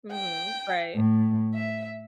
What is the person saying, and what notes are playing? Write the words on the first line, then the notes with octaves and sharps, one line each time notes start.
Mhm, right.
G5
A2
E5